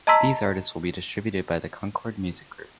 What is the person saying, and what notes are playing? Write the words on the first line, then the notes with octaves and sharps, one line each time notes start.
These artists will be distributed by the Concord Music Group.
D#5 A5 A#5 C6 E6 B6